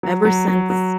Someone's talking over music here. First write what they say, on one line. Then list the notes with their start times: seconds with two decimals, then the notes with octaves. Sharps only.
ever since
0.03 F#3
0.25 F#3
0.48 F#3
0.70 F#3